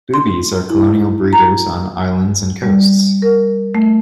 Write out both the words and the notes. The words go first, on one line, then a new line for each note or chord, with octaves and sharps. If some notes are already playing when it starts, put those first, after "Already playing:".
Boobies are colonial breeders on islands and coasts.
C6
E4
A#5
G3
A#4
A3